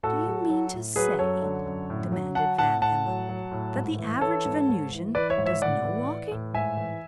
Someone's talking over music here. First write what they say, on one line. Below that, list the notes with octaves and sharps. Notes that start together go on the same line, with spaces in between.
"Do you mean to say," demanded Van Emmon, "that the average Venusian does no walking?"
A2 F#4 A4
F#3
F#3
A2
F#3 G#4 B4
F#2 A4 C#5
D3
F#2
A2
F#3
F#3 F#5 A5
A2 F#5 A5
A2 F#5 A5
F#3
F#3
A2
G#2
E3
E3 A4 C#5
G#2
G#2
E3
E3 B4 D5
C#5 E5
G#2
C#5 E5
A2 D5 F#5
E3
E3
A2
G#2 E5 G#5
E3